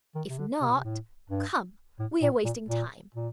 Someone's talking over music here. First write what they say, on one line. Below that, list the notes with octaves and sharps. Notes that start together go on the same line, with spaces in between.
"If not--come, we are wasting time."
D#3
C3
D3
C3
A#2
C3
A2
G2
A2
A#2
A#2
A#2
A#2